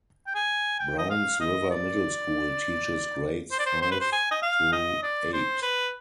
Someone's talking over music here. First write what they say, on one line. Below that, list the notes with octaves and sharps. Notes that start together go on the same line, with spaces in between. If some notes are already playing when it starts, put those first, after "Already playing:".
Browns River Middle School teaches grades five through eight.
G5
G#5
G5
D#5
F5
D#5
D5
C5
D5
C5
C5
B4
C5
G#5
D#5
F5
D#5
D5
C5
B4